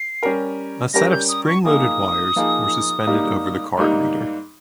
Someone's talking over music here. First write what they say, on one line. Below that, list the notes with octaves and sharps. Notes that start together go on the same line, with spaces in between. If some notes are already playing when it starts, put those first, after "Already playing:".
A set of spring-loaded wires were suspended over the card reader.
Already playing: C7
G3 C#4 G4 A#4
G3 C#4 G4 A#4 A#6
G6
D#6
C#6
F3 A#3 D#4 G#4 D#6
F3 A#3 D#4 G#4
G#2 G3 A#3 D#4
G#2 G3 A#3 D#4